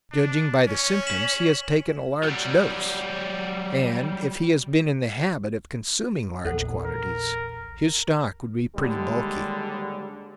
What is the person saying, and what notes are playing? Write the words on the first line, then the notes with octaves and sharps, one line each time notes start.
Judging by the symptoms, he has taken a large dose, and, if he has been in the habit of consuming large quantities, his stock would be pretty bulky.
D4
C#4 C#5
B6 E7 F#7
F#3 G3
A#1 E2 A4 C5 F#5
A#4
D#2 D3 G3 G#3